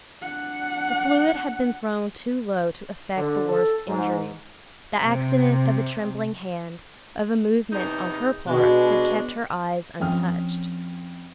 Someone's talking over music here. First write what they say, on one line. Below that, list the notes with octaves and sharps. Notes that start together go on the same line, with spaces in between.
The fluid had been thrown too low to effect the worst injury; the accident of a trembling hand, of a movement on her part, had kept her eyes untouched.
D4 F#5
D3
A4
G#2
C3
E2 C3 D#4
B2 G#3 C#4 D4
F2 C#4 G5 D#6 F6